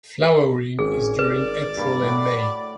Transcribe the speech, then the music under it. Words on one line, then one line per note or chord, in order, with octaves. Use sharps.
Flowering is during April and May.
G#1 C#4 G#4
A#4 B4 D5
G2 A#3 B5
A2 F#4